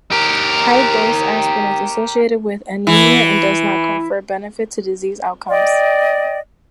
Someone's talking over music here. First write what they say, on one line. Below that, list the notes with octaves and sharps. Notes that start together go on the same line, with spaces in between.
High-dose aspirin is associated with anemia and does not confer benefit to disease outcomes.
G4 A#4
E3
D5 D#5 G5